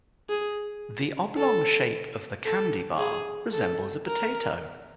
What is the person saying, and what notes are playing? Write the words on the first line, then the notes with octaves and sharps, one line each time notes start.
The oblong shape of the candy bar resembles a potato.
G#4
A4
A4
G#4
A4
A#4